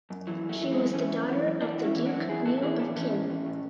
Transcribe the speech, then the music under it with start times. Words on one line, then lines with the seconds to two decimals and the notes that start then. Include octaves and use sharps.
She was the daughter of the Duke Mu of Qin.
0.10 F#2
0.27 E3 F#3
0.43 F#2
0.49 F#3 A3
0.61 E3
0.72 G#3 B3
0.78 F#2
0.93 E3 A3 C#4
1.11 F#2
1.28 E3
1.44 F#2
1.61 E3 B3 D4
1.78 F#2 F#4
1.84 C#4 E4
1.95 E3 E4
2.06 D4 F#4
2.12 F#2
2.29 E3 E4 G#4
2.45 A2 F#4 A4
2.57 A4
2.62 E3 E4 G#4
2.79 A2 B3 D4
2.96 E3 A3 C#4
3.13 A2
3.29 E3
3.46 A2